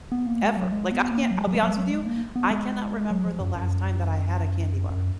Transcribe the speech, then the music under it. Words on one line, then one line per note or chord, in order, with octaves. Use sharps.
Ever. Like, I can't I'll be honest with you. I cannot remember the last time that I had a candy bar.
B3
A#3
G#3
F#3
G#3
B3
A#3
F#3
G#3
F#3
G#3
F#3
G#3
F#3
G#3
A#3
B3
G#3
F#3
F3
F#2
F#2
F#2